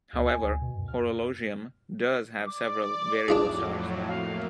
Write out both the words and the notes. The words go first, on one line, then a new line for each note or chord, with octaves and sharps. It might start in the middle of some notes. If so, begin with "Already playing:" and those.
However, Horologium does have several variable stars.
D2
G#5
D2
B2
F#2
F6
D5 D6
F2 A2 F#3 D4 F4 G#4
A3 A#3 F5